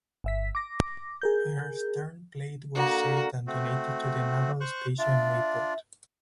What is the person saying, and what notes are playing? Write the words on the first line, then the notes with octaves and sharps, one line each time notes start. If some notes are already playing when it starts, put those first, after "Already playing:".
Her stern plate was saved and donated to the Naval Station Mayport.
G1 E5 B6
D6 A#6
G#4 A#4 G6
D3 A#3 F#4 A#5
A3 C4 F#4
C5 C#6 F#6
D4 F4 D5 E5